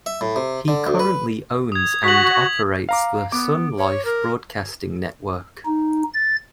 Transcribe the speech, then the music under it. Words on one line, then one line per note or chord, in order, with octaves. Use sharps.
He currently owns and operates the SonLife Broadcasting Network.
E5
A2
C3
D3
D2
B4
D#6 G#6
F#4 B6 F#7
F5 A#5 D6
B3 D6
C#5
A#4
D#4
A6